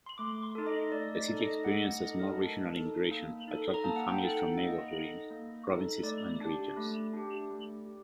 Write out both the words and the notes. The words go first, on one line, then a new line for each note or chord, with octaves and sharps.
The city experienced a small regional immigration, attracting families from neighboring provinces and regions.
C6
A3 D6
C6
D#4 A4
D#5
A3 D5
D5
D#4 A4
D#5
A3 F#5
D#5
D#4 A4 D#5
A#4
A3 A5
D#4 A4
A#3
D#4 A4
A#5
A#3 A5
F#5
G5
D#4 A4
F#5
A#3 D#5
D#4 A4
A#3
D#4 A4
A3 D5
D4 G4
A3
D4 G4
A3
G4